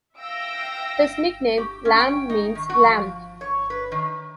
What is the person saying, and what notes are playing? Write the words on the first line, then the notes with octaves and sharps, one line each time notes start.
His nickname "Lam" means "lamb".
E5 F5 G5 E6 A#6 D7
G4
C#4
G5
D#4
D#3
F#4
F3
C#5
B4
D#3